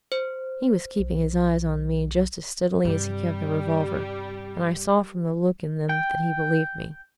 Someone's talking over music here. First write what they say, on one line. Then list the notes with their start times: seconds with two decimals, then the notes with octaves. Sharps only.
He was keeping his eyes on me just as steadily as he kept the revolver, and I saw from the look in them that he believed me.
0.12 C5
0.99 B1
2.85 G2 C3 G3
5.89 G5